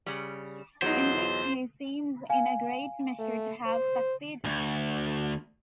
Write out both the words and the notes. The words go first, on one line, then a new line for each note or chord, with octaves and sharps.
In this he seems in a great measure to have succeeded.
C#3 G3
E2 F#3 D#4 F4 C5
F5 G#5
A3
C5
D2